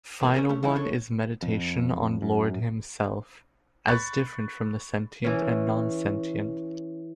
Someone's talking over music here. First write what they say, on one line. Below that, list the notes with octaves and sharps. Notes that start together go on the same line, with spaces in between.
Final one is meditation on Lord Himself, as different from the sentient and non-sentient.
E3 A#3 A#4
C#4 G#4 A#4
A3 C#4
D3 E3 G3 D#4 E4
D4 A4 C#5
F2
F#2
B5 C#6 F#6 A6
E3 C#4